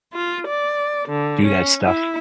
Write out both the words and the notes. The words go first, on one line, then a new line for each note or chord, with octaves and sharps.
do that stuff
F4
D5
D3
C#4
E4